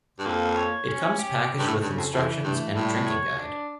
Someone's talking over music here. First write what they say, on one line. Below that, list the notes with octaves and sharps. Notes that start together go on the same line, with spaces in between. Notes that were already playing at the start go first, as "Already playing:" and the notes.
It comes packaged with instructions and a drinking guide.
G2
F2 A#3
C#5
C#4
G4
C#3
G2
A2
G2 C#3
F2
F2 E3
G2 A3
A2 G3
C#5
D4